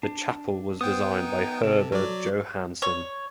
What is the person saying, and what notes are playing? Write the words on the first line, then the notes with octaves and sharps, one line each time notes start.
The chapel was designed by Herbert Johanson.
D4
B3 C5 G5 D#6
D#4
C3 A4
F#3 D5
C#5